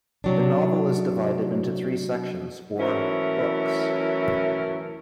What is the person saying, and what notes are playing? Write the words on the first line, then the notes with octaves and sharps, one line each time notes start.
The novel is divided into three sections or 'books'.
C3 F#3 D4
E3 F#3 A3 C#4 E4 A#4